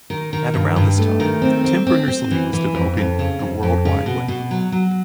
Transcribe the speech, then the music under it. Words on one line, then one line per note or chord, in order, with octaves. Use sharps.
At around this time, Tim Berners-Lee was developing the World Wide Web.
D#3
D#3
G2
G2
A3
D#3
C4
C4
C4
C4
E3
E3
F2
F2
C#3
F2
F2
C#3
B2
B2
F#3
F#3